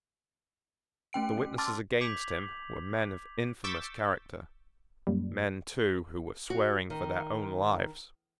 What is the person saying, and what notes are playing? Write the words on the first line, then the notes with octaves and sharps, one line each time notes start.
The witnesses against him were men of infamous character, men, too, who were swearing for their own lives.
A3 C#4 G5 D7
A3
A5 C6 D6 E6 F6 A6
D6 G6 G#6 B6 F7 F#7
C#6 D6 E6 G6 A6 B6
F#2 A#2 G3
F#4
D#3